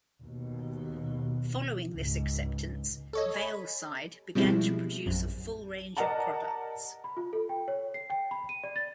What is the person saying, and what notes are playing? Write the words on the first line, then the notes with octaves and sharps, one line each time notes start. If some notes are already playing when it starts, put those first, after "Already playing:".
Following this acceptance, VeilSide began to produce a full range of products.
D#2 B2
C#2 G#2
A4 C#5 D#5
G#5 B5
B2 F3 G3 G#3 C4 E4
A#1 F#2
A#4 D5 D#5 F#5 A5 A#5
B5
F4
A4
G5
C#5
C7
G5
B5
D#7
D5
A6